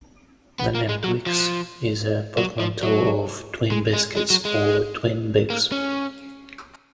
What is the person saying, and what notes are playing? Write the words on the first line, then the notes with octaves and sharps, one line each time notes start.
The name Twix is a portmanteau of twin biscuits, or 'twin bix'.
B3
A#3
G#3
F#3
F3
F#3
F3
F#3
G#3
G#3
G#3
F#3
G#3
A#3
C#4